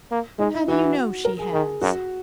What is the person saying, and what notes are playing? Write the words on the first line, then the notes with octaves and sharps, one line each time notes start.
"How do you know she has?"
A#3
G#3 D#4
E4
E3 F#4
A#4
G#4
D#3 G#4
F#2 F#4